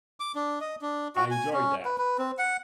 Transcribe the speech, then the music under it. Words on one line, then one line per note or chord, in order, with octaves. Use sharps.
I enjoyed that.
D6
D4
D#5
D4
F#4
G#5
C#4
B4
B4
C4
F#5